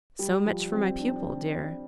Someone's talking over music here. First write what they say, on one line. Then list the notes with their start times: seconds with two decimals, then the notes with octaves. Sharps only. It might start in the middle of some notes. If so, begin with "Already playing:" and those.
So much for my pupil, dear!
0.19 G3
0.45 F3
0.72 C4
0.99 D4
1.08 C4
1.16 D4